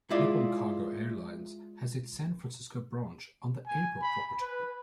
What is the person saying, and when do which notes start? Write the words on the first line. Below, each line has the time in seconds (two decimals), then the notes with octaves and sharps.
Nippon Cargo Airlines has its San Francisco branch on the airport property.
0.10 G#3 E4 F4 D5
3.67 G#5
4.01 B5
4.41 B4